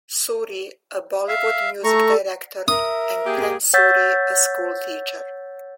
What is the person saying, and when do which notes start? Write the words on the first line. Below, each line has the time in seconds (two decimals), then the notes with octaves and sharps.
Suri, a Bollywood music director, and Prem Suri, a schoolteacher.
1.28 E5 F5
1.84 A3 A4 A#5 C#6
2.68 A#4 E5 D#6
3.26 A#3 G4 G#4
3.74 C#5 F#5 E6 G6 A6 B6